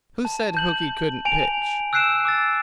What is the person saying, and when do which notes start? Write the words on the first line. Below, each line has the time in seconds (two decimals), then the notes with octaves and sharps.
Who said Hooky couldn't pitch?
0.25 A5
0.55 A5 G6 F#7
1.25 G#5 D7 F7
1.93 E6 F#6 G6 C7 D7 E7
2.25 D6 E6 A6